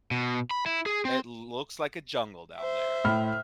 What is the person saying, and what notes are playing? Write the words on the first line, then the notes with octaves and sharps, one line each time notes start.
it looks like a jungle down there,
B2
B5
E4
G#4
C4
C5 E5
A2 B5 F6